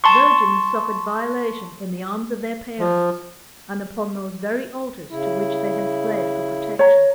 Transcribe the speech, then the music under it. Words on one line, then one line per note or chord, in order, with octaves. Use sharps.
Virgins suffered violation in the arms of their parents, and upon those very altars to which they had fled for protection.
A5 C6 C#6
F3
C#3 E4
C#5 A#5